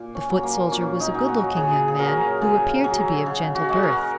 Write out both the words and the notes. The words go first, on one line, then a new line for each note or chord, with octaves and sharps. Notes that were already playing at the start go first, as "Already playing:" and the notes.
The foot soldier was a good-looking young man, who appeared to be of gentle birth.
Already playing: A#2
C#4
F#3
A#3
A#2 C#4
D#4
F#3
F#4
C#3 G#4
G#4
F#3 A#4
C#3
F#3
C#3
F#4
G#3
A#4